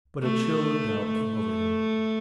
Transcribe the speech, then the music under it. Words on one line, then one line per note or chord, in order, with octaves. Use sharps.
But a chill of doubt came over him.
A3
A3